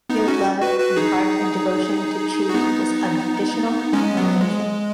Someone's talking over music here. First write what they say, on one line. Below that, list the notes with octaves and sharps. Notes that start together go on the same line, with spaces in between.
Your love and heart and devotion to Chi was unconditional and amazing.
B3 D#4
C#4 F#4
F#4 B4
F#4 B4
D#4 G#4
F#4
B3 D#4
G#3 C#4
F#3 B3
G#3